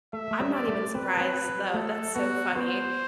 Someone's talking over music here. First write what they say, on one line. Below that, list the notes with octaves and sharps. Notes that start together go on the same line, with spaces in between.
I'm not even surprised though, that's so funny.
A3 E5
A3
G3
D5
A3
C4 B4
C4
A3 A4
B3 F#4
B3 C5